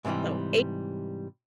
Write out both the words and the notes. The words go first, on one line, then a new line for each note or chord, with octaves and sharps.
So a
G#2 C3 D#3 E3 G3